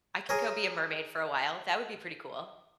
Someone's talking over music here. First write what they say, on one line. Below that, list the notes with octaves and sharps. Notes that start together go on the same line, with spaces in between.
I could go be a mermaid for a while, that would be pretty cool.
G#4 A#4 C#5